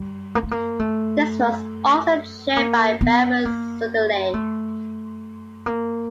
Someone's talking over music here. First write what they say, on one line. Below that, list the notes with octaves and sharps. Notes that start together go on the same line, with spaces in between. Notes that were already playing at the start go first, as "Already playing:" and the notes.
This was also chaired by Baron Sudeley.
Already playing: G3
A#3
A3
A#3
A3
A#3
B3
A#3
A3
A#3